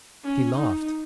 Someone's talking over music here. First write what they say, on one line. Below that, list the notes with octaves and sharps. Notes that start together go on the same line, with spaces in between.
She laughed.
C#4
D#4